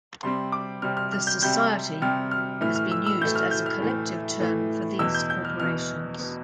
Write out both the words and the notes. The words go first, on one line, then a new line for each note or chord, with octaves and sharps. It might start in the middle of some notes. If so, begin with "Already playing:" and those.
"The Society" has been used as a collective term for these corporations.
C3 G3 C4 C6
D6
C3 G3 C4 F6
F6
F6
G6
C3 G3 C4 G6
C3 G3 C4 F6
F6
A2 E3 A3 F6
F6
E6
E6
A2 E3 A3 G6
F6
G6
F6
A2 E3 A3
A2 E3 A3
E2 B2 B3 E6
G6
G6
F6
E2 B2 B3 F6
B2 B3